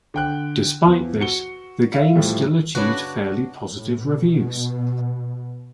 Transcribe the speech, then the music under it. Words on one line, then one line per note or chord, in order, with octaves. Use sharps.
Despite this, the game still achieved fairly positive reviews.
D3 G5 F#6
E2 F3
F#4 C#7 G7
E5 F5
A2 F3 G3 A3
C#3 D4 F#4 B4 C#5
A2
B2